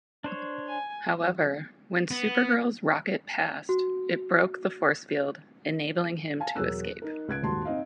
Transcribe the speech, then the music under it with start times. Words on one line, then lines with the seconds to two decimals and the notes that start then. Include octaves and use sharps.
However, when Supergirl's rocket passed, it broke the force field, enabling him to escape.
0.24 D4 C5 C#5
0.67 G#5
2.11 B3
3.69 F#4
6.40 F5 G#5 A5
6.56 E1 F#3 G#4 A#4 E6 F#6
7.02 D#4 A#4
7.28 C#2 F#6 G#6 D7
7.43 D#1 G#2 D#3 F#4 A5 C6
7.65 C4 D#4 D#5 F5